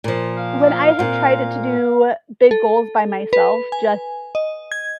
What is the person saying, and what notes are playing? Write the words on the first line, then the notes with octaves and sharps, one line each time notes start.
when I have tried it to do big goals by myself, just
A#2 F3
A#4 F5
A#2 C4
A4
B4
G#5
D#5
G#6